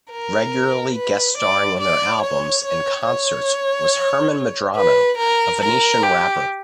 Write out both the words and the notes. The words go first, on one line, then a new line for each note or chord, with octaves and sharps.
Regularly guest-starring on their albums and concerts was Herman Medrano, a Venetian rapper.
A#4
B4
D5
D5
C#5
C#5
C#5
B4
A#4
A#4
G4